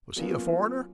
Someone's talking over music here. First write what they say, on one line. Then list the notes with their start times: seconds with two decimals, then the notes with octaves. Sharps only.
Was he a foreigner?
0.16 F#3 A#3 B3 C#4 F4